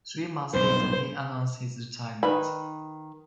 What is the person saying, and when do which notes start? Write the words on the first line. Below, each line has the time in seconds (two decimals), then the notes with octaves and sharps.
Three months later, he announced his retirement.
0.54 B1 G2 C5
2.23 D#3 B4 B5